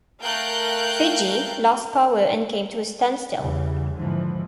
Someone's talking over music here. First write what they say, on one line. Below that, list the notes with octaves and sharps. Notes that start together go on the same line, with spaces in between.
"Fiji" lost power and came to a standstill.
A3 A#4 F5 G5 F#6 G6
E2 C#3 E3 G3
D#2 G#2 D3 E3 F3